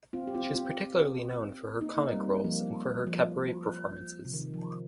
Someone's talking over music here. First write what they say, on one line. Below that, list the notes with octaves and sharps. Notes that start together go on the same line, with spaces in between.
She is particularly known for her comic roles and for her cabaret performances.
C4 F4
G4
C4 F4
C4 F4
A#3 D#4
A#3 D#4
G3 C4
F3 A#3
F3
C3
D#3
F3